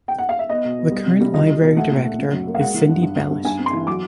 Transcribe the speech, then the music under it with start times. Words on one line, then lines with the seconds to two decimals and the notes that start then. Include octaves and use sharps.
The current library director is Cindy Bellot.
0.08 G5
0.18 F#5
0.29 F5
0.39 E5
0.49 B3 D#5
0.65 B2
0.79 B3
0.92 G3
1.06 C3
1.21 G3
1.34 C#2 D#5
1.48 C#2
1.62 B2
1.76 A3 F#5
1.91 A#2
2.05 A3
2.18 C#3
2.33 F#2
2.47 A#3
2.55 F5
2.60 G#3 F#5
2.74 E3
2.89 G2
3.02 G2
3.16 G2
3.31 G2
3.45 G2 G#5
3.59 C4
3.66 C6
3.73 E3
3.87 F#3 D6